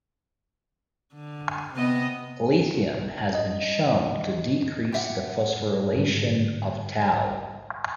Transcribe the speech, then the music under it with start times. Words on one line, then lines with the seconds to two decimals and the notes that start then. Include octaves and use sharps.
Lithium has been shown to decrease the phosphorylation of tau.
1.14 D3
1.74 C3 B3 D#5
3.35 D#5
4.92 G4 E5 F#5
5.96 G#2 D3